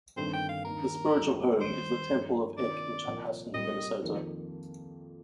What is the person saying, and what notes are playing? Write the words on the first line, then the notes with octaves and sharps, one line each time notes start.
The spiritual home is the Temple of Eck in Chanhassen, Minnesota.
G1 G2 D#3 A3 C4 C5
G5
F5
D#2 D#3 A#3 D4 A#4
D2 D3 G3 D4 F4
D#2 D#3 G3 C5
G2 F3 A3 D#4
C3 D#3 A#3 D4 F4 D5
C2 A#2 F3 A#3
C2 A#2 G3 C4 G4 D#5
F2 D#3 A#3 D#4 A#4